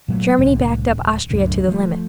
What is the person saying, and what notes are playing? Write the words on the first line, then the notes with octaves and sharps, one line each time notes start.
Germany backed up Austria to the limit.
A#2 F#3 G#3 A3
C2 A2 D3
D1
C2 F#2 A2 D3
F3 A3